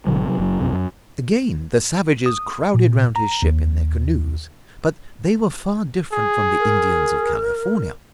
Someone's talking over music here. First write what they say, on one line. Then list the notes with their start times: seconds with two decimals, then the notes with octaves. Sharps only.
Again the savages crowded around his ship in their canoes, but they were far different from the Indians of California.
0.07 G#1 B2 D3 F#3
0.25 C3 F#3
0.38 F#1 F#3
0.60 B1 F#2 C3
0.73 F#2
2.26 D#6
2.74 A#2
3.16 A#5
3.42 D#2
6.13 G#4
6.59 A#4